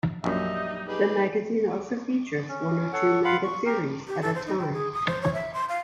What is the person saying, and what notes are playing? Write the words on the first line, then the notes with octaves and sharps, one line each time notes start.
The magazine also features one or two manga series at a time.
A#1 F#2 G3 D#4 D#5 E5
D#4 G4 G#4 B4
C#4
A4 C#5 F#5
F4 F5 F#5 B5
C#6
G4 A#4
G4
A4
C5
D#4
G5
G#4
D#6
C5
C#5
E5
C6
F5